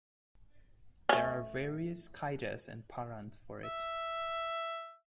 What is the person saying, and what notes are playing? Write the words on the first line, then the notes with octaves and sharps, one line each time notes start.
There are various Kaidas and Parans for it.
A3 C#4
E5